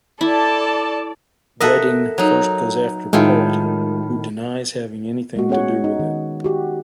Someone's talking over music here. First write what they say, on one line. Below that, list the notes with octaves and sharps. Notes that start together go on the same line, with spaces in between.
Redding first goes after Poet, who denies having anything to do with it.
E4 A4 D5 A5
A4 A#4 D#5 E5 F#5
F#3 D#4
A2 D#3 G#3 E4 F4
G#3 F#4
B3 C#4 G#4 C#5 F#5
D#4
D#3
F#4 G4